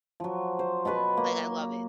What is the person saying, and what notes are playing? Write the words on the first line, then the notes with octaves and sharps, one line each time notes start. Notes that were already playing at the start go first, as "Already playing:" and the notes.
Like, I love it.
F3 F#3
C5
B2 B3 B4 C#6
A#3